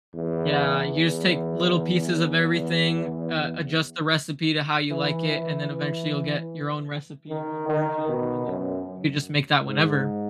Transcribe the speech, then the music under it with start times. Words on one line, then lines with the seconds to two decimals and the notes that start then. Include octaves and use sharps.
Yeah. You just take little pieces of everything, uh, adjust the recipe to how you like it, and then eventually, you'll get your own recipe, your own version, and then you could just make that whenever.
0.14 E2
0.93 E2
4.91 E3
5.30 E3
5.70 E3
7.29 D#3
7.69 D#3
8.08 B2
8.48 F#2
9.67 G#2